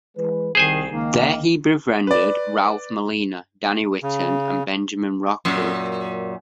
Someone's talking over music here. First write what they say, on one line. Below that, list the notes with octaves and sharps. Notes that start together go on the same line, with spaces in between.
There, he befriended Ralph Molina, Danny Whitten and Benjamin Rocco.
E3 G#3 B4
C2 D#3 G#4 C5 G#5
C#2 D#3 A#3
B4 D5
C#3
F#2 A#2